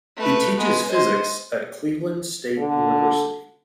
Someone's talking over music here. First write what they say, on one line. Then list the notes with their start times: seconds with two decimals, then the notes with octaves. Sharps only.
He teaches physics at Cleveland State University.
0.17 A3 B4
0.57 G#3 B3
0.88 C5 D#5
2.58 D3